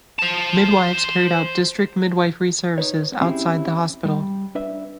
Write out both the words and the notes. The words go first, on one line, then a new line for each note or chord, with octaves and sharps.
Midwives carried out district midwifery services outside the hospital.
C5 A5
D#4 B4 C#5
C4 C#4 E4 F4 G4 G#4
G3
D4 B4 E5